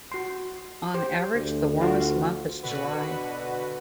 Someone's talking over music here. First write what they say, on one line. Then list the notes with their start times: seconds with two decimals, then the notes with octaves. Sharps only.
On average, the warmest month is July.
0.12 F#4 C6
0.94 G4 C5
1.34 D2
1.81 F4 F#4
2.63 B2 D3 F#4 B4